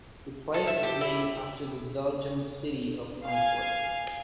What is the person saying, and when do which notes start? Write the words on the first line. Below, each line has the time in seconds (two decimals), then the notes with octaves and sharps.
The place is named after the Belgian city of Antwerp.
0.54 A4
0.67 E5
0.83 G4
1.01 E4
3.25 F5 G#5